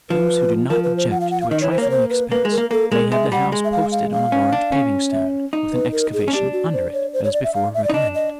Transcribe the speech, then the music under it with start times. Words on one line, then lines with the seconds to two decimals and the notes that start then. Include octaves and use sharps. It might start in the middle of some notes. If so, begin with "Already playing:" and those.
Those who do not object to a trifling expense, may have the house posted on a large paving-stone, with an excavation under it, as before recommended.
0.10 F3 B4
0.70 F3 A#4
0.83 B4
0.97 C5
1.11 F#5
1.21 F5
1.31 F#5
1.41 F5
1.51 D#3 D#5
1.61 E3 C#5
1.71 C5
1.78 A#3 C#5
1.91 C5
2.10 B4
2.31 A#3 B4
2.45 G#3
2.51 A#4
2.58 A#3
2.71 A#3 A4
2.91 G#3 A#4
3.12 G#3 E5
3.32 G3 F#5
3.52 G#3
3.65 E5
3.72 F5
3.92 F5
4.12 F5
4.32 C#4
4.52 D4
4.72 C#4
5.12 E5
5.53 D#4
5.73 B4
5.92 A#4
6.13 G#4
6.28 C#4
6.33 D4 G4
6.53 F#4
6.73 C5
6.93 C#5
7.13 C5
7.24 C#5
7.33 D5
7.44 E5
7.54 F5
7.74 E5
7.84 D5
7.90 D#4
7.93 D4 D#5
8.15 D#5